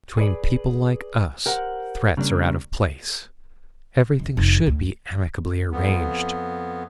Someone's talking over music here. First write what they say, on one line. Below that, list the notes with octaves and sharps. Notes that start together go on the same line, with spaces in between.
Between people like us threats are out of place, everything should be amicably arranged.
G#4 B4 D5
G4 A#4 C5 F#5
C#3 G3 A#3 D4
C#2
F1
D2
F2 B3